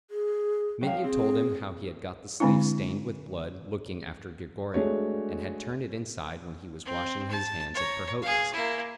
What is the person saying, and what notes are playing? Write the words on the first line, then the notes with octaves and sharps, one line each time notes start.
Mitya told him how he had got the sleeve stained with blood looking after Grigory, and had turned it inside when he was washing his hands at Perhotin's.
G#4
F#3 F5 G5
C4 G#4
D3 G#3 C4 D4 E4
G#3 A3 D4 F#4 C#5
C4
A5
C#5 A#5
G#4 F5
A#3 E4